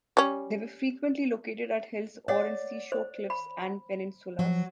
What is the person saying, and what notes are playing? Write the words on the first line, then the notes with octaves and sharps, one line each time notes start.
They were frequently located at hills, or in seashore cliffs and peninsulas.
G3 C#4
C#5 D5 F#5
C5
B5
F3 F#3